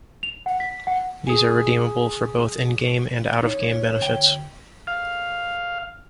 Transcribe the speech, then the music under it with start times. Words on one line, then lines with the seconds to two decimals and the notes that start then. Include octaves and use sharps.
These are redeemable for both in-game and out-of-game benefits.
0.23 F7
0.46 F#5
0.60 B6
0.87 F#5
1.27 G#4 G#5
3.43 D#4 C#5
4.01 D2 G5
4.87 F5